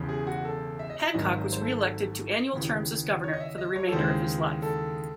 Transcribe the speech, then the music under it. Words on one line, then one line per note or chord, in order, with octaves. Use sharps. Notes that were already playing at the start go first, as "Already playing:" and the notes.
Hancock was reelected to annual terms as governor for the remainder of his life.
Already playing: E1 E2 C#3
G#4
F#4
A4
E5
D#5
E5
G#1 G#2 F#3 D#5
C5
C5
A4
D#2 C#3 E3
C#5
D#5
E5
D#5
C#5
A4
D#2 C#3 E3 G#3 C5
A4